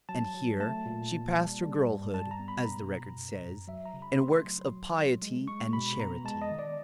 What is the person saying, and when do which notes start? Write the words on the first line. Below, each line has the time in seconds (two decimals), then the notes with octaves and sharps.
And here she passed her girlhood, as the record says, "in works of piety and charity."
0.09 F#3 A5
0.34 F#3
0.60 A3 A5
0.86 A#2
1.12 A#3
1.37 G3
1.62 G3
1.89 G2
2.13 G3 A5
2.31 A#5
2.39 B3
2.48 B5
2.65 B2 A#5
2.91 B2
3.16 F#2
3.42 F#2
3.68 F#3 E5
3.86 A#5
3.94 C#3
4.02 B5
4.19 A3 C6
4.45 F#3
4.72 F#3
4.96 F#3
5.22 G#3
5.48 G#3 C#6
5.73 B2 B5
6.00 B3 A#5
6.25 G#3 A5
6.42 D#5
6.50 D#3
6.59 D5